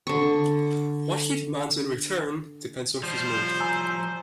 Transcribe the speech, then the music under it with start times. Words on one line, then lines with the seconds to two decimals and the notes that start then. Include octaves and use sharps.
What he demands in return depends on his mood.
0.07 D3 C#6
3.03 F3 G3 C5
3.60 G#5 A#5 E6